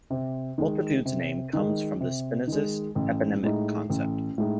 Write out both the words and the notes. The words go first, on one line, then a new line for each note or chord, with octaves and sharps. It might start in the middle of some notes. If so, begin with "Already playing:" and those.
"Multitudes's" name comes from the Spinozist eponymic concept.
C3
D#3 G#3
C3
D#3 G#3
C3
D#3
G#3
A1
A2 G#3 D#4
A1
A2 G#3 D#4